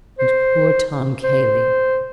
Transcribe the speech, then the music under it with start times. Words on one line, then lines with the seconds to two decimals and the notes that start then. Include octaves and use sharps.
And poor Tom Cayley!
0.19 C5
1.24 C5